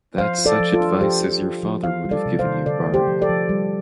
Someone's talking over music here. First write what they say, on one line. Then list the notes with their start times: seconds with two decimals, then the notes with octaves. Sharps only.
That's such advice as your father would have given you, Bart.
0.18 F3 C5 F5
0.38 F4
0.46 A4 D5
0.60 F3
0.73 F4 A4
0.80 D4
1.00 F3 G4 C5
1.21 F4
1.42 F4
1.63 F3
1.83 F4 C5 F5
2.05 G3
2.11 A4 D5
2.26 C3
2.39 C5 F5
2.46 C3
2.66 D3 A4 D5
2.87 A3
2.94 G4 C5
3.08 F3
3.22 A4 D5
3.29 F3
3.49 G3